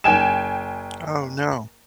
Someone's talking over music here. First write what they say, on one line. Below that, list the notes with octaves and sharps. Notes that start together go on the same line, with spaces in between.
Oh, no.
F#1 G5 G#5 E7